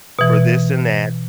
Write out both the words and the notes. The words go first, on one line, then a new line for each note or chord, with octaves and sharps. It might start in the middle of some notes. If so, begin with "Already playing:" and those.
for this and that,
B2 E3